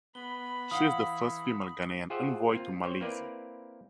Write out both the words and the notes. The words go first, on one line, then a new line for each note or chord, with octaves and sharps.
She is the first female Ghanaian envoy to Malaysia.
B3 B5 G7
E3 F5 F#5 D#6
F4 G4 G#4 C5 E5 F#5
A#3 C4 F4
C4 C5 C#5
A#3 C4 E4 A#4 B4 D5